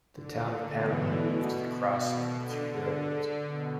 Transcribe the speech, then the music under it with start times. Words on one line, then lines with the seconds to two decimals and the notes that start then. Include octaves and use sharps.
The town of Panama moved to the crossing of the two railroads.
0.15 D3
0.70 B2 E3
1.25 B2
1.80 B2
2.35 D3
3.46 B2